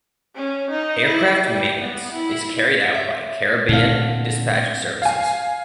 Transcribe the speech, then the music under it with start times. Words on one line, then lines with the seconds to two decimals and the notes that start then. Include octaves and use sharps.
Aircraft maintenance is carried out by Caribbean Dispatch Services.
0.36 C#4
0.71 D#4
1.05 E4
1.49 G3
1.79 B3
2.13 E4
2.94 E5
3.69 A#2 D3 C4 F5
5.02 F5 G#5